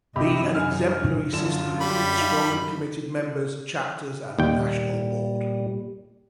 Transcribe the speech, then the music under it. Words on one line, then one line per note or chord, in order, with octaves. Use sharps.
Be an exemplary sisterhood with strong and committed members, chapters and national board.
F#2 C3 G4 D#5 E5 B5
D#4 G#5 F6
F#2 D3 F4 E7
G3 B5
D#4 F4
D#2 A#2 G3 G5